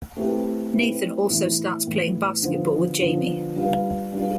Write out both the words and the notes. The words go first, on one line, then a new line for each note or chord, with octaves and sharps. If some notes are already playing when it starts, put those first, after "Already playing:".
Nathan also starts playing basketball with Jamie.
A3 C4 E4 G4 B4
A3 C4 E4 G4 B4
A2 E3 B3 E4
A2 E3 B3 E4
D3 F3 B3 F4 C5
D3 F3 B3 F4 C5
G3 D4 F4 B4 F5
G3 D4 F4 B4 F5